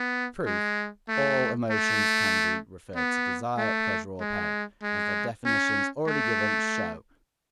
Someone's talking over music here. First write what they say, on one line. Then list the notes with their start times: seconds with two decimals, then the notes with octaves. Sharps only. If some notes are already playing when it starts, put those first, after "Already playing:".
Proof.--All emotions can be referred to desire, pleasure, or pain, as their definitions, already given, show.
Already playing: B3
0.46 G#3
1.09 A3
1.71 A3
2.96 B3
3.57 A3
4.20 G#3
4.83 G#3
5.45 C#4
6.07 A3